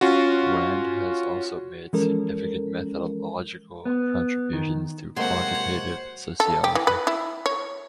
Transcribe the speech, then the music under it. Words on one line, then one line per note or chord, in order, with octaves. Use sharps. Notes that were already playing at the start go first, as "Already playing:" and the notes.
Brand has also made significant methodological contributions to quantitative sociology.
C#4 F4 F#4
E3 F3 G#3 C#4 A4 A#4
B3
D#3
C3 F#3 G#3 A#3 F#4 C5 F#5 C6
C#5
A4
G4
E3
B4
E4
C#5